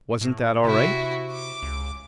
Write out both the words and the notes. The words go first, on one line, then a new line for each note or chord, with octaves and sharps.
"Wasn't that all right?"
A2
C3 E4 F#4
D6
C#2